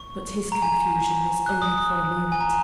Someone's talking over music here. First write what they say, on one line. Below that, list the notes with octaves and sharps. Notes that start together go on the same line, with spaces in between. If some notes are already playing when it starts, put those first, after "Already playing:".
But his confusion was only for a moment.
Already playing: C#6
A#5
G#5
F#6
D#6
D#6
G#5
A#5